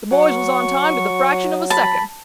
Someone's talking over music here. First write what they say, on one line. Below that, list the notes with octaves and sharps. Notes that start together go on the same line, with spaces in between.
The boys was on time to the fraction of a second.
F#3 C#6
A5 B5